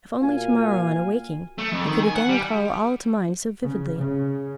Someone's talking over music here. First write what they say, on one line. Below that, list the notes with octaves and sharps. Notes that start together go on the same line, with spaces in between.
If only to-morrow on awaking, I could again call all to mind so vividly!
A#2 F#4 F5 G#5
A3
F2
D#3
G#5
F#5
G3
C#3
C#3